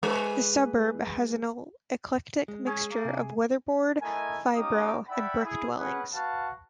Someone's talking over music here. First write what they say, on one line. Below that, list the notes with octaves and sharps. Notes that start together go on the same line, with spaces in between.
The suburb has an eclectic mixture of weatherboard, fibro and brick dwellings.
G#3 B4
G#3
C#4 G#4
A#3
C3
A3 E4 A#4 D#5 G#5
A#3 C#4 D#4 G4 D6 D#6
D5 E5 F#5 G5 B5
E4 G#4
C#4 G#4 B4 F#5
F#4 B4 F5 F#5 A5